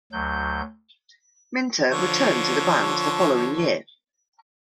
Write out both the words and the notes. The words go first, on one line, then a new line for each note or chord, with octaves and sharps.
Minter returned to the band the following year.
D2 F#3 G6
D3 F3 C#5